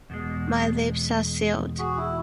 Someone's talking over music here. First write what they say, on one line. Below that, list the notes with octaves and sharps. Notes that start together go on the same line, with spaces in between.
My lips are sealed.
E2 B2 G#3
F#4 G#4
E4